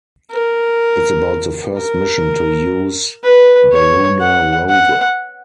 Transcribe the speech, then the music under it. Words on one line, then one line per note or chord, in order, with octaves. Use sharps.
It’s about the first mission to use the lunar rover.
A#4
A#4
B4
C#5
F#5
F#5